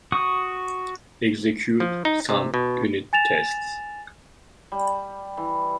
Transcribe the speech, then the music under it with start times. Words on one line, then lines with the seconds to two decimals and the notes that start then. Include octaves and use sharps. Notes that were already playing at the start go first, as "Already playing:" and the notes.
Execute some unit tests.
0.12 F#4 C#6 D#6
1.80 F3
2.05 D#4
2.29 C3
2.54 B2
3.13 G#5 A6 E7 F7
4.72 G3
5.37 E3